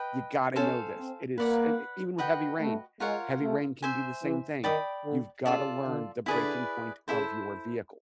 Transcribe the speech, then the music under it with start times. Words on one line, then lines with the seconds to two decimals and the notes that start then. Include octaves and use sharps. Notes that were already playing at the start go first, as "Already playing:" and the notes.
You gotta know this, it is s eh, even with heavy rain, heavy rain can do the same thing, you've gotta learn the breaking point of your vehicle."
Already playing: B4 D#5 G5
0.56 C#4 A4 C5 F5 G#5
0.97 C4
1.37 A#3 B4 D5 F#5
2.18 F#4 B4 D#5 G5
2.60 A3
3.00 G#3 F4 A#4 C#5 F#5
3.41 A3
3.82 C5 E5 G#5
4.23 E3
4.64 D#3 D5 G5 B5 D#6
5.05 D3
5.45 C#3 F4 A4 D5
5.86 D3
6.26 D3 E4 G#4 B4 D5
7.08 C#3 E4 A4 C5